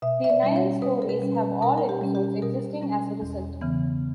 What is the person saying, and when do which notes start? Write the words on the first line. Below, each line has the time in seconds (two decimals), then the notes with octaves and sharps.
The nine stories have all episodes existing as a result.
0.02 B2 E5
0.24 E5
0.30 D5
0.43 G3 C#4
0.56 C#5
0.82 B2 B4
1.02 A#4
1.09 B4
1.22 G3 C#4
1.35 B4
1.61 B2 A#4
1.78 A#4
1.89 G4
2.01 G3 C#4
2.15 G4
2.42 B2 A#4
2.81 G3 C#4
3.22 E2
3.61 C#3 E3 B3